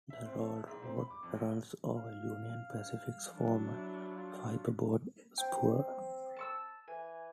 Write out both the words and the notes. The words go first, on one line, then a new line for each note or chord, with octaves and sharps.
The railroad runs over Union Pacific's former "Fibreboard Spur".
E5
C4
A4
E4
G#2
C4
B5
D6
F2
A1
F5
F#3 D4
E4
F4
C4 G5
A5 C#6 E6
E3 G#5